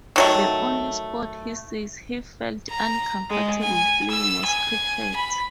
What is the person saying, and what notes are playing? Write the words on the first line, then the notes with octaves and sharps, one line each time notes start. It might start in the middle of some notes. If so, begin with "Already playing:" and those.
The only sport he says he felt uncomfortable playing was cricket.
D#3 F#3 A3
A#5
G#3
G#5
E6
G#5
B5